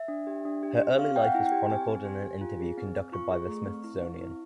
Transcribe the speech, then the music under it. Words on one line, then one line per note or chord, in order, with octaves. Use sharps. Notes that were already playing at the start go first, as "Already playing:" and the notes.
Her early life is chronicled in an interview conducted by the Smithsonian.
Already playing: E5
D4
G4
D4
G4
G4
C4 F5
C4 G5
F#5
E4
G5
G4
C4 G#5
C4
G4
G4
F4
G#4
C4
C4
F4 C#6
G#4
A3
C4
E4
C4
E4